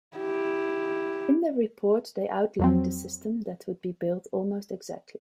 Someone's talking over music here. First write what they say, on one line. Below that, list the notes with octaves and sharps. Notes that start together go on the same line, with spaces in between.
In their report they outlined the system that would be built almost exactly.
E4 G4
F2 F#3 C4